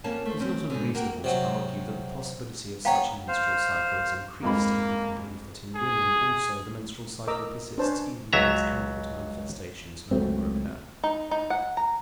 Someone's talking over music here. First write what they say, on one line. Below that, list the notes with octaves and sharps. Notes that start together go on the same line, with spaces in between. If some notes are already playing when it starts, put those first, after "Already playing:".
It is not unreasonable to argue that the possibility of such a menstrual cycle is increased, if we can believe that in women, also, the menstrual cycle persists even when its outward manifestations no longer occur.
F2 A#3 C#4 A5
A3 C5
C4 C#4
G#2 D3
A#3 F#4 A#4 G5
C3 F#3
B3 C#5 F5 G5 A#5
C5 F5
F2 G#2 A#3 B5
G#4
A#4 D#5 A#5 D6 E6
C#4 D4 B4 C5 A5
C#2 F#3 E5 A#5
C#2 F#3 A3 C4
D#4
D#4
F#5
A#5